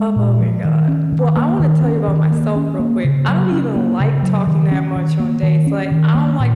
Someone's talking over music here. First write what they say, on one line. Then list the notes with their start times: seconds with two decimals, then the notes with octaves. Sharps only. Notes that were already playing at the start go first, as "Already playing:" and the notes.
Oh my god. Well, I wanna tell you about myself real quick, I don't even like talking that much on dates, like, I don't like
Already playing: G#3
0.16 A#2
0.40 F3
0.65 D#3
0.88 C#4
1.12 D#3
1.37 A#3
1.60 D#3
1.85 C#4
2.08 D#3
2.31 A#3
2.56 C#4
2.79 A#3
3.04 C#3
3.28 F#3
3.52 C#4
3.76 A#3
4.00 C#3
4.23 F#3
4.47 D#3
4.71 C#4
4.96 D#3
5.20 A#3
5.43 D#3
5.67 C#4
5.92 D#3
6.15 A#3
6.40 A#2